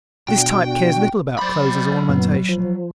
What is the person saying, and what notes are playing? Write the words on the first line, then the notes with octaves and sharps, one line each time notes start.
This type cares little about clothes as ornamentation.
B2 D4 F#4 G5
F#3 C5 D5 B5
F#2 A#2 B3
F3